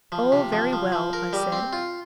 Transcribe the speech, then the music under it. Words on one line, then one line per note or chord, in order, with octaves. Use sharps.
"Oh, very well," I said.
F3
C3
F3
F3
F3
A#4
G3
C4
F4